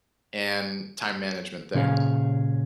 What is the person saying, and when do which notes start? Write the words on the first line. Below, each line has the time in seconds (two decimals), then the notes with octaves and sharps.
and time management thing,
1.74 A#2 C#3 C#4 G#4 F5